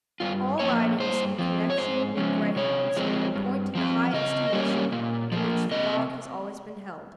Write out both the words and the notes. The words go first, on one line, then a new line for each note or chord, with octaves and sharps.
All writings in connection with Greyhounds point to the high estimation in which the dog has always been held.
G2 F4
F3 A#3 C#5
G2 C5
F3 C4
C#5
G#2 C5
F3 G#3 C#4
C3 C#5
F3 G#3 C4
G2
F3 C4
C#3 D#5
G3 A#3 C#4
A#2
F3 A#3
C3 D#5